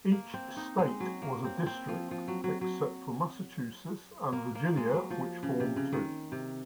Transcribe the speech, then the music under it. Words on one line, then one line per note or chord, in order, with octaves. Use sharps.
Each State was a district, except for Massachusetts and Virginia which formed two.
A#3
C4
D#4
G#3
F#3
A#3
C4
C4
F3
F3
F#3
F#3
F#3
A#3
A#3
G#3
F#3
F3
C#3
C3
C#3
D#3
C3